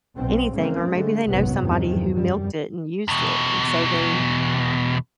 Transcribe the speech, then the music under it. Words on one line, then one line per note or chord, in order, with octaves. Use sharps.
anything, or maybe they know somebody who milked it and used it, and so they
B1 B2 C4
G#2 C#3 F3 A#3 C4
D3 G#3 A3
F#1 B1 G#2 C3 F#3 B3
E2 G2 C3 D#3 F3 F#3
F#2 G3
E2 B2